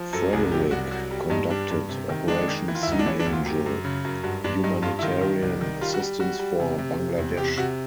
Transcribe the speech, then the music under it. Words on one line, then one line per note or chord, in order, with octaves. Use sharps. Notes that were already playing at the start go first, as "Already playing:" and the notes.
"Frederick" conducted Operation Sea Angel, humanitarian assistance for Bangladesh.
Already playing: F3
F#2 A4
C2 G#4
F#3 G4
C2 F#4
F#3 F#4
G3
G2 D#4
G3 D4
G2
C3
D#3
G#3 D4
D#3
E3
F4
E4
D2 D#4
D4
E3 C#4
D4
D2
F4
F#2 G4
F#2
C#3
F#2
G2 F#4
G2 D4
G2 D#4
G2 F4
E4
D#3 F4
D#3
C2
D#3
G3 F4
F#4
G3
G3 F#4
G3
C3
C3
C3
E2
C3 G4
C3 F#4